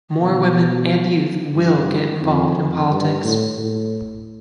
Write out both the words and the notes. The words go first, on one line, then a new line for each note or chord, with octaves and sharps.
More women and youth will get involved in politics.
B2
G2
F2
F2
G2
A2
A2